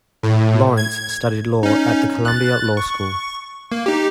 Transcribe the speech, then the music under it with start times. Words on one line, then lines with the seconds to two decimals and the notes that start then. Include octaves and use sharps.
Lawrence studied law at the Columbia Law School.
0.23 A2
0.77 G#6
1.63 C#4 D#4
2.25 F#6 A6
2.77 C#6
3.72 A#3
3.86 D#4 G4